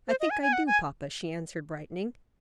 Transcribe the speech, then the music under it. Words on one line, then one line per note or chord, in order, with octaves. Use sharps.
"I think I do, papa," she answered, brightening.
C5
D#5
G#5
G#5
F#5
G#5